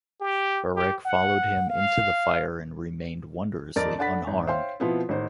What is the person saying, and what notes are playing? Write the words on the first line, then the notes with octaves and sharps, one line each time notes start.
Barek followed him into the fire and remained wondrously unharmed.
G4
G4
F#5
F5
F2 A#4 D5 D#5 A6 D7
D4 A4 F#5 B5 A6 B6
G#1
C5 C#5 E5 F5 G5 C6
B2 F3 B3 C4 E4 F4
A1 D#3 C5